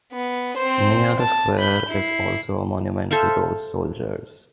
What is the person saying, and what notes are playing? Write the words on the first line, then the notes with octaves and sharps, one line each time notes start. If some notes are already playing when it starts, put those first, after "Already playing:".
Near the square is also a monument to those soldiers.
B3
C4 C5
A5
B5 G6
E4 C7
A4 C5 E5 F5